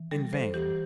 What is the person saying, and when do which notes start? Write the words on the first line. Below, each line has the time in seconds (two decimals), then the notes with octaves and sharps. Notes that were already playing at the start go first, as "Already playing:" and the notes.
In vain.
Already playing: E3
0.11 G3 A4
0.33 C5
0.54 E3 G4